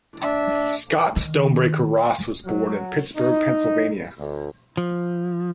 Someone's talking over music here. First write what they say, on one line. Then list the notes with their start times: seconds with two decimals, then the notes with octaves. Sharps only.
Scott Stonebreaker Ross was born in Pittsburgh, Pennsylvania.
0.23 D4 E5
1.16 D#3
2.46 F#3
3.16 D#4
4.18 D2
4.77 F3